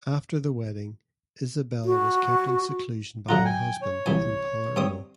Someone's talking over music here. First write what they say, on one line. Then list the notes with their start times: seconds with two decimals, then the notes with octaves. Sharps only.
After the wedding, Isabella was kept in seclusion by her husband, in Palermo.
1.85 F#4
3.29 F#2 D3 F4 F#5 A#5
3.45 G5 G#5
3.82 C#5
4.06 C2 E3 G#5
4.76 G2 C4 D#6